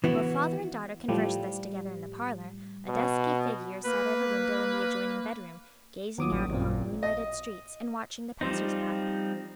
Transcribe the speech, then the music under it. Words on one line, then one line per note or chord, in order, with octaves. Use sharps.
While father and daughter conversed thus together in the parlor, a dusky figure sat at a window in the adjoining bedroom, gazing out upon the moonlighted streets and watching the passers-by.
E3 B3 E4 F#4
A2 F3 G3
B2
A#3 B4
D#2 F#3 F4 D6 D#6
A1
F#2 A#2 C4
D#5
F3 G3 C4 D#4